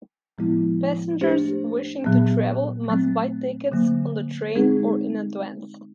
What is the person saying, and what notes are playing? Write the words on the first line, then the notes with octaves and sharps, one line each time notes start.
Passengers wishing to travel must buy tickets on the train or in advance.
A2 F3 G#3 B3 E4
A3 D4 G4 C5
A#2 F#3 B3
F#3 A3 C4
D3 F#3 A#3
G#3 C4 D#4 G#4